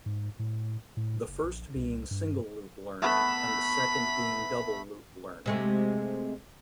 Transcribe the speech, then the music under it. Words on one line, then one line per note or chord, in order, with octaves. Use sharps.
The first being single-loop learning and the second being double-loop learning.
G#2
A2
A2
F#1
A#1
C2
G2
A3 B3 A4 B5
C3 G#3 A3